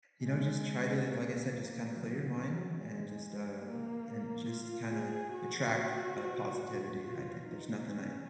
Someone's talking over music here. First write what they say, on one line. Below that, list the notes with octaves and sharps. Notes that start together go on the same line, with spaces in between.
you know, just try to, like I said, just kinda clear your mind and just, uh, and just kinda attract, uh, positivity, I think. There's nothing I
G#3
A#3
F#3
F#3
G#3
A#3
F4
G#4
F#4
F4
D#4
C#4